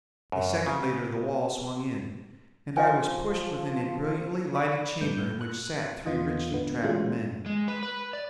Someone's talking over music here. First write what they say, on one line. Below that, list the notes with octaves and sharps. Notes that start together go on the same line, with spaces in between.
A second later the wall swung in, and I was pushed within a brilliantly lighted chamber in which sat three richly trapped men.
F#2
C#3
F3 D#5 F5 G#5
D5 B5 D6
G2 A3 B4 G6
F#6
E2 B3 F4 D#5
D3 B3
E3 G#3 A3 C#4 F4 F#4
G#3
B4
B4
D5